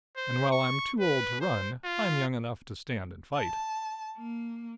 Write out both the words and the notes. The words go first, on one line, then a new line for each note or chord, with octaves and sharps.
And while I'm too old to run, I'm young enough to stand and fight.
C5
C#6
B4
C5
F4
A5
A#3